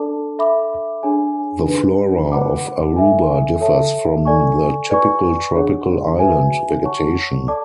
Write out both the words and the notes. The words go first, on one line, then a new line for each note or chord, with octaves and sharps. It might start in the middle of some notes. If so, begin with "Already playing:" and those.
The flora of Aruba differs from the typical tropical island vegetation.
Already playing: D4 A4 D5 A5 D6
A4 E5 B5 D6
D4 G#4 C#5 G#5
D4 G#4 B4
B4 F#5 B5 D6
A4 E5 G#5
A4 C#5 E5 A5
A4 D5 G#5 C#6
B4 D5 G#5 C#6
D4 G#4 C#5 F#5
F#4 B4 E5 G#5
C#5 F#5 A5 C#6
A4 D5 A5 D6